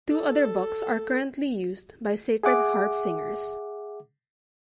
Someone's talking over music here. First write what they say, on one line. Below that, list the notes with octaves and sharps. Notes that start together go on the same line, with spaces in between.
Two other books are currently used by Sacred Harp singers.
A4
G#4 E5 F#5 D6